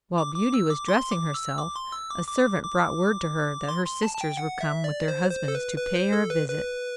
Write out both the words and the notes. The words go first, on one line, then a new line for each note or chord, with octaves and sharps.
While Beauty was dressing herself, a servant brought word to her that her sisters were come with their husbands to pay her a visit.
D6
D6
E6
D6
C6
D6
E6
D6
C6
E6
D6
D6
D6
C6
C6
A5
A5
G5
F#5
E5
D5
C5
C5
A4
B4
B4
C5
A4
B4
B4